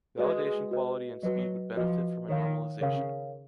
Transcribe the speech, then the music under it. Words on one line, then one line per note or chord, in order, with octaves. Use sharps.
Validation quality and speed would benefit from a normalization.
G#3 F#4 B4 D#5
F#4 B4 D#5
F#3 F#4 B4 D#5
F3 F#4 B4 D#5
D#3 A#4 C#5 F5
C#3 A#4 C#5 F5